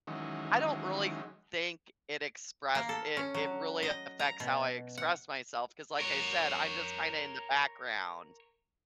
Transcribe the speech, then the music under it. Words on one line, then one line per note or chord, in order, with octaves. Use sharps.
I don't really think it express it it really affects how I express myself, 'cause like I said, I'm just kinda in the background,
D#3 E3 F#3 G#3 C#4 D#4
A#3
A4
C#4
F#3
D#5
A#5
B2
F#5
A#4 C#5